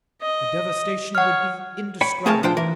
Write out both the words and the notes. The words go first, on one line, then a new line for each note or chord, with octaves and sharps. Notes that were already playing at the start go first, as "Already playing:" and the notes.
The devastation would be indescribable.
D#5
C#5 F#5 F6
C#5 G5 B5
A3 C4 G#4 A#4 C#5 A5
F3 D4 F4 C5 G5
E3 A#4